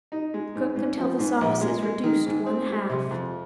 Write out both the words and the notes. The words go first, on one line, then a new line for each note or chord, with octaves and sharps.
Cook until the sauce is reduced one-half.
D#4
G#3
G#2
G#2
F3
G#2
A#1
G#3
G#3
D#3
G#2
C4
G#3
C3
F2